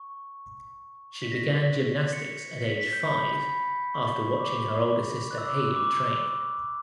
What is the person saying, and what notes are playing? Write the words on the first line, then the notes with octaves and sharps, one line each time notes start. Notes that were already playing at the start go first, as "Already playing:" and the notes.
She began gymnastics at age five after watching her older sister Hayley train.
Already playing: C#6
B6
A#6
B6
C#7
B6
B6
B6
G6
B5
B5
C#6
D6
F#6
E6
D6
E6
D6